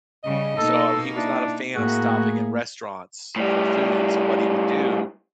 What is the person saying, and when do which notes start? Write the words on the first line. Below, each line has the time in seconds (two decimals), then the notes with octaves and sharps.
So, he was not a fan of stopping at restaurants for food, so what he would do,
0.23 C#3 G3 D#5
0.58 B2 A#3 D#4 A4
1.17 D4 E4
1.76 A2 A#3 F#4 G#4
3.36 A2 G3